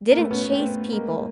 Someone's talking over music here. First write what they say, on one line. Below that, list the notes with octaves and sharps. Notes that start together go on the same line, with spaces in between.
didn't chase people
A#3
A3 B3
B3 C#4
B3
C4
A3 B3
G#3 A#3